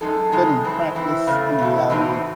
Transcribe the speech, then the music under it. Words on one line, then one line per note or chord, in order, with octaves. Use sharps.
but in practice, in reality,
F#2 C#3 G#3 D#4 A4
F#2 C#3 G#3 D#4 A4
E3 C4 E4
E3 C4 E4
E2 C#3 A3
E2 C#3 E3 A3
A2 E3 C4 D#4 F#4